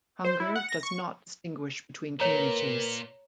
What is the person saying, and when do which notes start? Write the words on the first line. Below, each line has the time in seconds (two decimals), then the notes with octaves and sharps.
Hunger does not distinguish between communities.
0.25 C5
0.40 E4
0.56 F#5
0.69 A#6
0.83 C#6
2.20 A#2 A#4 B4 C#5 A#5